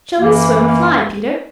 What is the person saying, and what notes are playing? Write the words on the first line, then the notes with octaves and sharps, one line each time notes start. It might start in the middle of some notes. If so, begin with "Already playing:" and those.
"Shall we swim or fly, Peter?"
F#2 E3 A#3